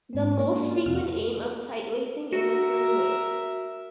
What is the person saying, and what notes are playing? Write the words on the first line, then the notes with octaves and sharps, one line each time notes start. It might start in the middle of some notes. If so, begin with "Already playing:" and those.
The most frequent aim of tightlacing is a slim waist.
G#2 C4
A#3 D4
F4
F2 C3 F6
F#4 A#4 E5